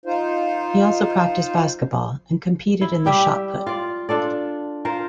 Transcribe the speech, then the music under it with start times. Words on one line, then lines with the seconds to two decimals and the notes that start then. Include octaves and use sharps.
He also practiced basketball and competed in the shot put.
0.06 D#4 F4 C5
2.81 E4
3.06 G3 G4 E5
3.67 F4 D5
4.09 D4 F4 A4 D5
4.85 F4 A#4 C5